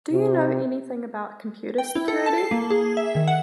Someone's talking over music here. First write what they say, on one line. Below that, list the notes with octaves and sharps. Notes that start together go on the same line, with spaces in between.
Do you know anything about computer security?
C3
G5
E4
A4
A5
C7
A#3
G#4
E5
D#3
F#5